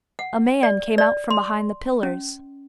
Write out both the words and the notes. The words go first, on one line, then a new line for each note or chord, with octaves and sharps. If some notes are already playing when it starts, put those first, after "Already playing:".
A man came out from behind the pillars.
F#5
D5
D5
C6
C#4